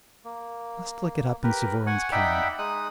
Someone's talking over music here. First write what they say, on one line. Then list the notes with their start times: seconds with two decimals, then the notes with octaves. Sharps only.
I must look it up in Suvorin's calendar.
0.24 A#3
1.43 G4 A#4 B4
1.87 F#5 G#5 C#6
2.12 D#4 D5 E5 F#5 G5 B5
2.59 G#3 D#4 D#6 F#6